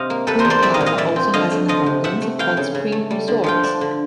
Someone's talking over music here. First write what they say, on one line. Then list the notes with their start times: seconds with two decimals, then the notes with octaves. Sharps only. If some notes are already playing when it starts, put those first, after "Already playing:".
Kurihara also has an abundance of hot spring resorts.
Already playing: C3 D#5 F5
0.10 A#3
0.27 C3 A4 B4
0.39 A#4 C5
0.45 E2
0.50 C5 D5
0.62 G3 D5 E5
0.74 D#5 F5
0.80 A#2
0.86 D#5 F5
0.98 E3 D5 E5
1.16 C4
1.34 D3 D#5 F5
1.52 A3
1.68 F3 D#5 F5
1.86 C3
2.04 C3 E5 F#5
2.22 A3
2.39 E3 F5 G5
2.57 C#3
2.75 C#3
2.92 A3
3.11 G3
3.28 D3
3.44 F3 F5 G5
3.64 D4
3.81 D3